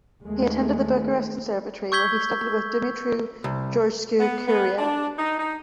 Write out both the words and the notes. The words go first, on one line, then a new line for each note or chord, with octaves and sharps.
He attended the Bucharest Conservatory, where he studied with Dumitru Georgescu-Kiriac.
D#2 G#3 A3
C#6 E6 G6 G#6 B6 G7
C2
B3
B3
D4
D#4
D#4